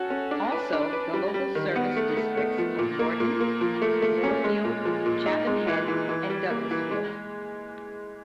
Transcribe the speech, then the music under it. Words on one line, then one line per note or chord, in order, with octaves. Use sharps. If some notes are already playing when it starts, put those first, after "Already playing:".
Also the local service districts of Nordin, Moorefield, Chatham Head, and Douglasfield.
Already playing: C#4 F#4 A4
C#4
D4
B4
D4
B4
G3
G3
D#3
B3
A3
A3
A3
F3
A#2
A#3
A#2
A#3
F3
A3
A3
C#4
G#3
A#2
F3
A#2
D#4
G#3
E3
E3
E3
G3
A#3
E3
G#3